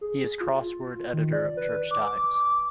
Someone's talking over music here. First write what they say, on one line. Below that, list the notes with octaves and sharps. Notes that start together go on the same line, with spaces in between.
He is crossword editor of "Church Times".
G#4
F4
D#3
D5
B4
D6